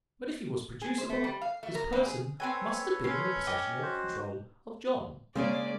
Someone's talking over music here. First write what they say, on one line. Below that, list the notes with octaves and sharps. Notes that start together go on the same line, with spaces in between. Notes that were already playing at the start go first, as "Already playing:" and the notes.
But if he was producible, his person must have been in the possession or control of John.
G#4
C5
A3
G3
F5
A3
A#4
G2
G#4
C4 A4 B4 C#5 G5 G#5
C#4 C6
D#5 G5 D6
F#4 C5
C#3 G#3 A#3 C4 C#4 D5